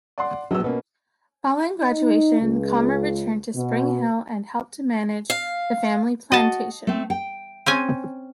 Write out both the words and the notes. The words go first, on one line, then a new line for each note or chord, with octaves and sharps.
Following graduation, Comer returned to Spring Hill and helped to manage the family plantation.
D5 F#5 C6
A#1 F#3 B3 E6
B2 A#3 B3 C#4
D#4
C#2
B2
F5
F#4 D#5 A5
A3 C4
G5
C4 C#4 G#5